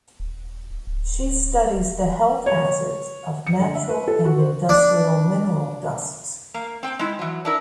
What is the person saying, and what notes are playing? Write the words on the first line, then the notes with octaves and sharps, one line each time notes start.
She studies the health hazards of natural and industrial mineral dusts.
D#1
D1
D#1
C#5
C#7
D3
E5
B4
A4
F#4
C5
D4
A#3
C4 G5
G#3 E4
E3 F#3
D4 E4 A#4